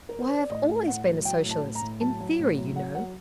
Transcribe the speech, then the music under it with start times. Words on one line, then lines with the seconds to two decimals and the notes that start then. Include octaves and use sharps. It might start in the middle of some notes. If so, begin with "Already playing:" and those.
'Why, I've always been a Socialist--in theory, you know.
0.09 A#4
0.22 C5
0.36 D5
0.50 A2 D#5
0.69 A2
0.88 A2 F#5
1.07 F#3
1.25 F#3 G5
1.44 A2
1.51 A5
1.63 A2
1.75 A#5
1.82 A2
2.00 F#3 A5
2.19 F#3
2.39 A2
2.58 F#3
2.76 F#3 F#5
2.95 F#3 F#5